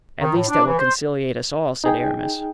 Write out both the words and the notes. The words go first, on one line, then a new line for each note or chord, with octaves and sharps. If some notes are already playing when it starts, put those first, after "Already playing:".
"At least that will conciliate us all," said Aramis.
D#3
A2
D4
E3
C5
D#4 G#4 G5